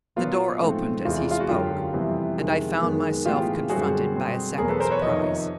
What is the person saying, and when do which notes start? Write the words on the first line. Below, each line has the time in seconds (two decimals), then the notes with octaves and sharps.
The door opened as he spoke, and I found myself confronted by a second surprise.
0.16 A#2 F#3 B3 F4
0.61 G#2 F3 A3 C4
1.05 E2 C3 E3 G#3 F4
1.31 F4
1.40 F#4
1.49 F#2 D3 F#3 F4 G4
1.93 F2 C3 E3 G3 B3
2.38 F2 C3 D#3 G#3
2.81 F#2 D#3 G#3 B3
3.25 A2 E3 G#3 B3 F4 G4
3.70 F#2 D3 G3 C4 F#4 G#4
4.14 B2 G3 C4
4.58 E2 B2 F#3 A#3 G#4 A#4
4.69 A4 B4
4.80 A#4 C5
4.91 B4 C#5
5.02 F2 C3 D#3 C#5 D#5